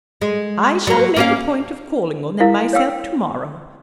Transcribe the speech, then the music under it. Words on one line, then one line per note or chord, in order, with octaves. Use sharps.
I shall make a point of calling on them myself tomorrow.
G#3
F#3 A#3
A#3 C#4 F5
E4 A#4 F5
C#5 F5 G5 E6